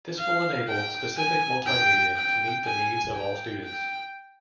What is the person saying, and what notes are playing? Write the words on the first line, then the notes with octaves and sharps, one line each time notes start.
This will enable specific multimedia to meet the needs of all students.
F5
G5
G#5
G5
G5
G#5
G5
G5